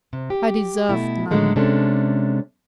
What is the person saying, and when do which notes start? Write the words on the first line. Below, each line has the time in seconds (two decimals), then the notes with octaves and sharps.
I deserved none.
0.13 C3
0.30 G4
0.89 B2 A3 E4
1.31 A2 D3 D#3 F#3 G#3 A3
1.56 C3 G#3 C#4 D4 A4